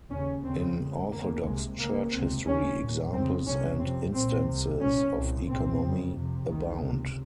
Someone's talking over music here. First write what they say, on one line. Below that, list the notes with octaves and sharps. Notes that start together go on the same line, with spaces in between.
In Orthodox Church history, examples and instances of economy abound.
D#2 C#3 C#4
D#2 C#3 C4
C#2 C#3
D#2 C#3 A#3
C2 C3 G#3
C#2 C#3 A#3
C#2 C3 C4
D#2 C#3 C#4
C2 A#2
F2 C#3 C4
C2 C3 C#4
F2 C3 C4
C2 A#2 C4
C2 C3
C2 A#2 C#4
C2 A#2
C2 A#2 C4
F2 C#3
F2 C3
C2 C3 D#3
C#2 C3